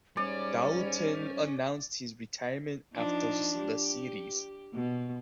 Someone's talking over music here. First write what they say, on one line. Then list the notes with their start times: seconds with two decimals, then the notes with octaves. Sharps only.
Daulton announced his retirement after the series.
0.17 G#2 G3 C#4 D5
2.95 F3 D4 D#4
3.58 G4
4.74 B2